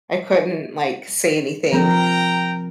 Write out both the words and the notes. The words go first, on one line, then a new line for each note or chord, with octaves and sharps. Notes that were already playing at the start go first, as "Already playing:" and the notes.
I couldn't, like, say anything.
F3 C4 A#4 G5 A#5